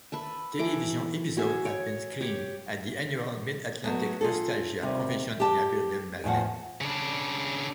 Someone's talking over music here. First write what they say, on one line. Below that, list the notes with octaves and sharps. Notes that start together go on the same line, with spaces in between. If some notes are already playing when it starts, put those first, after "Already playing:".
Television episodes have been screened at the annual Mid-Atlantic Nostalgia Convention in Aberdeen, Maryland.
B4 E5 A5
E3 A4 E5 D6
F#4 G#4 E5
C#5
G4 C#5
F#3 A3 B3
F4 G#4 A4
D#2 C3 G3
G4 A5
E2 A2 F3 F#5
C#3 D4